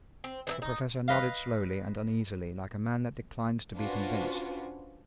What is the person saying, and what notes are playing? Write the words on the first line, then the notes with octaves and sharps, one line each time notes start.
The Professor nodded slowly and uneasily like a man that declines to be convinced.
C4
E3 D#4 E4
D#4
B4 D#5 F5
C#4 D4 F4 F#4 B4 C5